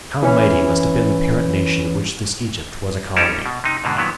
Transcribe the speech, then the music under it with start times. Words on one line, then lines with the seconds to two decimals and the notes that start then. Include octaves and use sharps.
And how mighty must have been the parent nation of which this Egypt was a colony!
0.22 E3 C#4 E4
3.16 G3 C#4 D#4 A4 A#4
3.46 B2
3.64 C3 D#4
3.84 G#2 B2 D3
3.97 A#2 D#3 F#3 B3